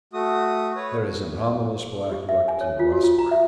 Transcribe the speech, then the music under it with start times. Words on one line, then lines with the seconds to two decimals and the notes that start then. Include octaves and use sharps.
There is an ominous black look to the westward.
0.13 A3 F#4 D#6
0.76 B4 C#5
2.11 G4
2.29 E5
2.48 G#5
2.61 C#5
2.79 F4
2.92 F#4
3.03 F4
3.19 A#5
3.31 E5